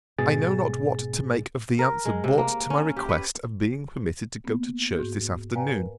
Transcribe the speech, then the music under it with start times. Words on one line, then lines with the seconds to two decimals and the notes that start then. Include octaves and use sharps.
I know not what to make of the answer brought to my request of being permitted to go to church this afternoon.
0.19 G#2 B2 G#4 A6
1.79 A#4
2.05 G#3
2.24 C3
2.38 A#3
2.70 C#4
2.96 G4
3.09 B4
4.44 A#3 B3
4.95 G#2 F#4 G#4 G6
5.55 B4 D5 F5 G5 G#5 A#5
5.71 A#4 B4